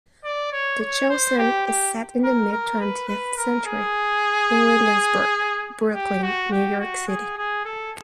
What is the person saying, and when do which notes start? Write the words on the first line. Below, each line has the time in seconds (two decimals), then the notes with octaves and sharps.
"The Chosen" is set in the mid-twentieth Century, in Williamsburg, Brooklyn, New York City.
0.24 D5
0.52 C#5
0.81 C#5
1.09 C5
1.38 G4
1.67 G4
2.24 A#4
2.52 A#4
2.81 B4
3.09 B4
3.37 A#4
3.66 G#4
5.94 G4
6.23 F#4
6.52 G4
6.80 F#4
7.08 G#4
7.37 G#4
7.65 A4